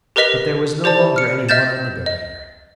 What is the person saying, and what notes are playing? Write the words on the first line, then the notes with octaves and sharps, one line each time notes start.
But there was no longer any one on the barrier.
G4 A#4 B4 D#5 B6 F7
G4 C5 D5 A5
F6 C#7
D#5 E5 F6 G6 A6 E7
D#5